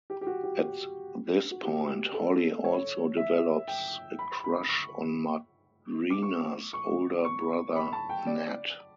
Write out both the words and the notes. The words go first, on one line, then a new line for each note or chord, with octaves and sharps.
At this point, Holly also develops a crush on Marina's older brother Nat.
G4
G4
F#4
G4
F#4
F#4
G4
A4
C#5
E5
G5
B5
B5
C#6
D6
C#6
C#6
C#6
B5
A5
G5
D5